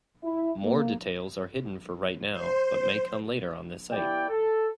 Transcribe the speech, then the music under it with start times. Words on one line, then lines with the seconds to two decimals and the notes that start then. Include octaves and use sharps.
More details are hidden for right now, but may come later on this site.
0.24 E4
0.63 A#3
2.32 C5
3.92 B3 E4 G4 D5 G5
4.29 A4